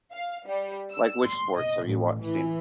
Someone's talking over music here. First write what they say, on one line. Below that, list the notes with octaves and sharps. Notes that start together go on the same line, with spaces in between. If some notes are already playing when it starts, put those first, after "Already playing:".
like, which sports have you watch seen?
F5
G3
E6
C6
D#5
A1
E3